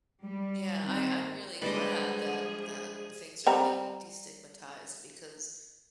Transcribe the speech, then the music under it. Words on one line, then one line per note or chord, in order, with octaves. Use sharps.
Yeah, I I'm really glad that that things are being destigmatized because,
G3
D#3 C4
F3 G3 G#3 D4 G#4 B4 D5 D#5
G3 C4 A#5